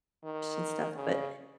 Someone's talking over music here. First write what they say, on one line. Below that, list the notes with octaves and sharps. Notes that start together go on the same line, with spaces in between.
and stuff, but
D#3
C#3